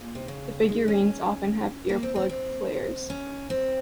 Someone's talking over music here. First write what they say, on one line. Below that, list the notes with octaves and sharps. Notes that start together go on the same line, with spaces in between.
The figurines often have earplug flares.
A#2
C3
C#3
G#3
C#4
A#3
C4
C4
C4
C#4
C4